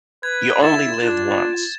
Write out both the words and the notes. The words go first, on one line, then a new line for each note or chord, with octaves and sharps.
"You only live once,"
B4 G#6
E4 A6 E7
D4 F4